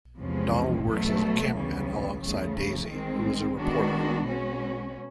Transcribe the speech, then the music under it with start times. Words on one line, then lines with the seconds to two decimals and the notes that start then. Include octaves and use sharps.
Donald works as a cameraman alongside Daisy, who is a reporter.
0.19 E2 C3 F3 G#3 C#4
0.87 B2 F#3 A3
1.54 D2 C#3 E3 G3 B3
2.23 E2 C#3 F3 A3
2.91 D#3 G#3 C4
3.59 D#3 G#3 B3 D4 F#4
4.26 B2 G#3 C#4 F#4